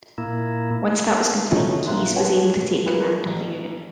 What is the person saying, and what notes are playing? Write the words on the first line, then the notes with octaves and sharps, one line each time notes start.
Once that was complete Keyes was able to take command of the unit.
A#2 A#3 E4
F3 A3 C#4 D#4 E4 F#4
A#1 F#3 F4 E5 C6 F#6
B4 C#5 F#5 G#5 A5
E4 F4 G#4 A#4 B4
A1